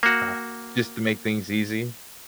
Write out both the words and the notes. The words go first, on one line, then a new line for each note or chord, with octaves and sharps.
Uh-huh, just to make things easy.
A#3 F#4